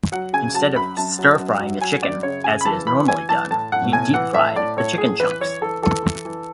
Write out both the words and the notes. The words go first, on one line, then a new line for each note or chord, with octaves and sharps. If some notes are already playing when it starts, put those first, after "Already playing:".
Instead of stir-frying the chicken, as is normally done, he deep-fried the chicken chunks.
F#3 F#5
C#3 G#5
F#3 A5
F#2 B5
F#2 A5
F#3
F#2
F#3
F#3 G#5
F#2 D5
C#3 C#5
C#3 G#5
B5
E3 A5
E3 B5
E3 G#5
E3 A5
A2 A5
A2 F#5
A2 G#5
E3 F#5
A2 E5
A2 D5
A2 C#5
A2 G#4
E3 B4
E3 C#5
E3 A4
E3 A4
E3
E3